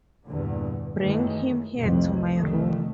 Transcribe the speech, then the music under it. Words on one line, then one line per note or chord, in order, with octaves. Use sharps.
Bring him here to my room.
E2 G2 A#2 D3
F#2 D#3 E3 G#3 A3
F1 C2 F2 E3
F1 C2 F2 D#3 F3 A3